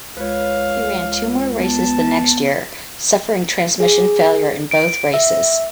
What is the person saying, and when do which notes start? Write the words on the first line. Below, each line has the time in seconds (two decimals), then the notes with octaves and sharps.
He ran two more races the next year, suffering transmission failure in both races.
0.17 C#2 B4 C#5 F5
1.60 B3 A5
3.80 G#4
4.71 D7
5.14 E5